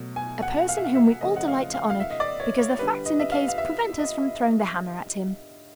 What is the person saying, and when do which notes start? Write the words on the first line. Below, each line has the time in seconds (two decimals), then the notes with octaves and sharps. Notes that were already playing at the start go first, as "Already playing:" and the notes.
A person whom we all delight to honor because the facts in the case prevent us from throwing the hammer at him.
Already playing: B2 F#3 A3
0.16 G#5
0.42 F#5
0.69 F5
0.77 E5
0.85 F5
0.95 E5
1.21 C#3 F3 A3 D#5
1.36 F#5
1.48 F5
1.74 F5
1.90 F5
2.00 E5
2.11 D#5
2.20 D5
2.40 C#5
2.59 C#5
2.79 D3 G3 B4
3.06 D#5
3.19 E5
3.32 F5
3.48 F5
3.58 E5
3.99 D#5